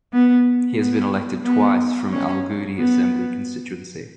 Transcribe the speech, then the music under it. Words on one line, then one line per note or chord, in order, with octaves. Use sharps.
He has been elected twice from Alangudi assembly constituency.
B3
B3
B3
C#4
B3